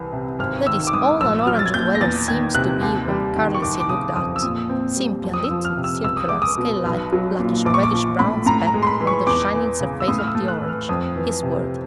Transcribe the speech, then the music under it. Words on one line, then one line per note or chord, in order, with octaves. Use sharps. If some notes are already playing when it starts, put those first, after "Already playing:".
That is all an Orange-dweller seems to be when carelessly looked at; simply a little circular, scale-like, blackish or reddish-brown speck on the shining surface of the orange, his world.
Already playing: C2 E3
C3
G#1 F6
D#3 E6
D6
G#2 D#6
A#1 E6
F#3 F6
A6
G#6
A#2 G6
A#6
E2 A6
D#3 G#6
C3 F#6
D#2
G3
D#3
C#6
F#1 D6
D6
C#3 D#6
F2 D#6
E6
A#2 D#6
C4
G3
F2
D#6
E6
F3
F6
C3
E6
C#2 E6
D#6
G#3 D6
D#6
B2
B1
F#3
A#2
A#1 D6
C#6
D6
F3
A2 B5
A2 A#5
A#5
G#3
C6
B5
E3
C#6
E2 D6
E3
C#3
E6
A2 D#6
F6
E6
A3
F#6
E3
F6
F2 D#6
E3
C3